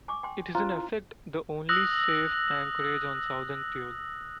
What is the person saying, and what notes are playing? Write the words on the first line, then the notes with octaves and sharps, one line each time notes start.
It is in effect the only safe anchorage on Southern Thule.
G#5 C#6 D6
G5 G#5 C6
C#4 F4 C5 A#5
E4
D#6 E6 F#6 A#6 F#7